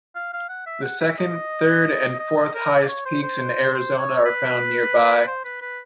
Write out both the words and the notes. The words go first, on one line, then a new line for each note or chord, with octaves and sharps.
The second, third, and fourth highest peaks in Arizona are found nearby.
F5
F5
F#5
E5
F#5
E5
D#5
D#5
D#5
A#4
D5
C#5
C5
C5
C5
C#5
B4
C5
B4
B4